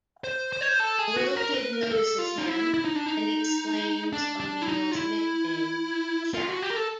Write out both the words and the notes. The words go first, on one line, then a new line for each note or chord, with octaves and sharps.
A little kid notices him, and exclaims O'Neal's nickname, "Shaq".
C5
C5
C#5
C5
A4
G#4
F#4
A#4
B4
A#4
A#4
A4
F4
D#4
E4
E4
D#4
D4
D#4
D4
D4
E4
D#4
F4
E4
F4
F#4
G4
A#4
A4